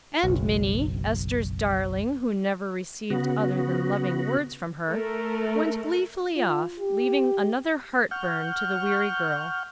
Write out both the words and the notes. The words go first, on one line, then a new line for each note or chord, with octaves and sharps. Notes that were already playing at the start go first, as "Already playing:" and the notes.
And Minnie--Ester's darling, who never received other than loving words from her--went gleefully off, leaving another heartburn to the weary girl.
F#1 B1
C#3 B3 F#4
A3 A#4
F4
G4
F#5 C#6 F6 G6